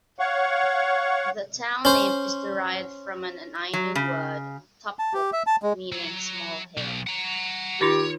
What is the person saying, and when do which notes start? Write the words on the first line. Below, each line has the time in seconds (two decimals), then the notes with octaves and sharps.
The town name is derived from an Ainu word "tapkop", meaning "small hill".
0.19 C#5 F5 F#5 C#6
1.85 C#4 C5
3.73 F#3
3.95 C#3
4.99 A5
5.13 G4
5.33 E5
5.47 A5
5.62 G#3
5.92 F#3
6.77 B1
7.07 F#5 A#5
7.81 D#3 D#4 F4 G4 C#5